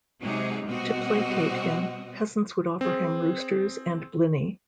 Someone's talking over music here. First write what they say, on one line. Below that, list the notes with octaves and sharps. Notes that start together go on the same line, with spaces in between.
To placate him, peasants would offer him roosters and bliny.
C3 F#3 G#3 D#4 G#4
B2 G3 C4 F#4 D#5
C4 G#4